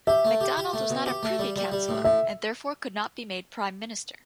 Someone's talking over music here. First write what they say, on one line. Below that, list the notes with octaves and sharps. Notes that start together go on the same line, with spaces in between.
MacDonald was not a Privy Councillor, and therefore could not be made Prime Minister.
G4 E5
A3
G4
G4
A3
B2
G4
A3
G3
G3
G3
A2
A2 E5